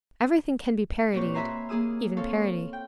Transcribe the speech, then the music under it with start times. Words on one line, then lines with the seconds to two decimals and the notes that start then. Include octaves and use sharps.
Everything can be parodied, even parody.
1.13 A#2 C4 G4 C#5
1.34 B4 E5 G#5 A#5 C6
1.69 A#3 G#4 D#6 E6
2.17 C4 A4 C#5 F5
2.73 G5